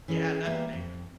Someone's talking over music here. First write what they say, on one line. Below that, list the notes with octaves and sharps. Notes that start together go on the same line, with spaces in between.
Yeah, that's amazing.
E3 C#4 G#4 A4
G3 A#3 B3 G4 E5
F2